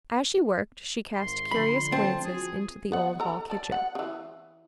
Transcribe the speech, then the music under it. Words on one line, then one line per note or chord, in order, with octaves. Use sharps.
As she worked, she cast curious glances into the old hall-kitchen.
G#1 C6
D3 F3 B5
C4 A5
F3 F#4 G#4
B3 F#5
A4 A#5
D5 A5
F#5
C#3 E3